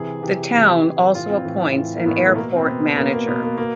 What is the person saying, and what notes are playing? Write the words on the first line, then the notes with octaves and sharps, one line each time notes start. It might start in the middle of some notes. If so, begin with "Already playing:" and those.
The town also appoints an Airport Manager.
Already playing: C3 E3 G#4
C3 E3 G4
C3 E3
C3 E3
A2 E3 F4
C4
A2 E3
A2 E3
A#3
A2 E3 B3
A3
B2 A#3
C4
B2 B3
B2 A#3
A#3
B2 B3
A#3
B2 A#3